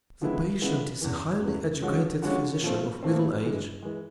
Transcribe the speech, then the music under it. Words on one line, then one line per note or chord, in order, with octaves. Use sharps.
The patient is a highly educated physician of middle age.
C#3 F3 G#3 B3 E4
C#3 F3 G#3 B3 E4
E2 C#3 E3
E2 C#3 E3
D3 F3 G#3 C#4 F#4
D3 F3 G#3 C#4 F#4
A#2 F3 A3 C4
A#2 F3 A3 C4
G2 E3 G#3
E3 G#3